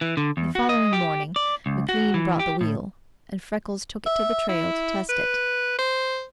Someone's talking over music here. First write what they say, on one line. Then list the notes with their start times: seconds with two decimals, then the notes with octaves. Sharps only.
The following morning McLean brought the wheel, and Freckles took it to the trail to test it.
0.01 E3
0.17 D3
0.37 E2
0.55 F#4
0.69 D#5
0.93 G4
1.36 D5
1.66 C#2
1.89 F#4
2.14 E3
2.39 G4
2.61 A2
4.06 E5
4.49 E4
5.09 B4
5.78 C5